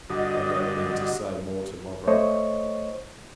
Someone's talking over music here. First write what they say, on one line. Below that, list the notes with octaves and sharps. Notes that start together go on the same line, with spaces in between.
I don't mean to say more to my Brother.
G2 D3 F#4 D#5
A3 C5 C#5 D#5 C#6